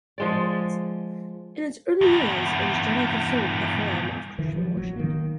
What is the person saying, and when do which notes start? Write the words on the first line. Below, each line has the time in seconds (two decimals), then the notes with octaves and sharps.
In its early years it was generally considered a forum of Christian worship.
0.18 F3 G#3 D5
2.01 E2 G2
4.39 D#3 E3
4.55 F3 F#3
4.77 A1 F#3
4.96 D#3 A#3